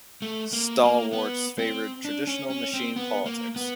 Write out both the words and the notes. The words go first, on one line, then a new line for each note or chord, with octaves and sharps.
Stalwarts favored traditional machine politics.
A3
A#3
A#3
B3
C4
D4
C#4
C#4
C4
B3
A#3
B3